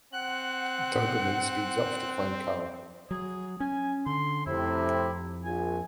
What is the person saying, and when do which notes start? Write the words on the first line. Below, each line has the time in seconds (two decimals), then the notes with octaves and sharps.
Doberman speeds off to find Carl.
0.13 C4 F#5 F#6
3.11 F#3 G#4
3.60 C#4 G#5
4.06 D3 C6
4.46 F2 A2 C3 C4 E4
5.45 A#1 G#5